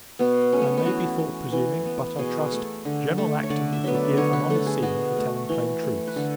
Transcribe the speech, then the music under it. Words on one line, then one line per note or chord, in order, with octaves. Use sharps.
I may be thought presuming; but, I trust, General Acton will forgive an honest seaman for telling plain truths.
B2 B3
F#3 A3 C#4
B3
B3
E3 F#4
B3
E3
B3
B2 G#4
A3
D3
A3
C#5
D3 D5
E5
F#3 B3 E5
D5
D3 C#5
B4
A3 A4
G#4
B2 F#4
A3
E3
A3
B4
D3 A4